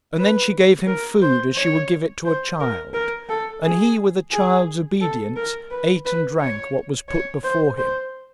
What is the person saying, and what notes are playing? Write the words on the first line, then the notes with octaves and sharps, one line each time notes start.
And then she gave him food as she would give it to a child, and he with a child's obedience ate and drank what was put before him.
B4
A#4
C5
C#5
C5
A#4
A#4
A4
G#4
G#4
A4
A#4
B4
B4
C#5
C#5
C5
C5